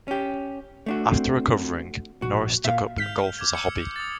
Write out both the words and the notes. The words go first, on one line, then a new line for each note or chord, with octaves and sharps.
After recovering, Norris took up golf as a hobby.
C#4 G4
A3 D4 F#4
C4
A#1 F#4
A#2 E5 F5
G#1 F6 G6 B6 F7
D6 G#6
E6 C#7
D#6 A6